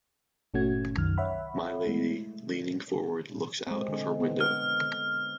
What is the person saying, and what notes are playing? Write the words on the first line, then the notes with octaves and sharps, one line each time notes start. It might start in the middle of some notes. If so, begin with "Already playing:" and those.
My Lady, leaning forward, looks out of her window.
G1 A#2 A3 C#4 F#4 G#6
C2 F#2 D#3 F6
C#5 E5 F#5 B5
G#3 A3 E4
G#3 C4
D3
B3
F6